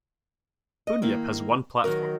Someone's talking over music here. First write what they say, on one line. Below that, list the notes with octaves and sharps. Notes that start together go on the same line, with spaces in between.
Bunyip has one platform.
D#5
D#3 A#3 E4
D#3 F#3 F#4 A#4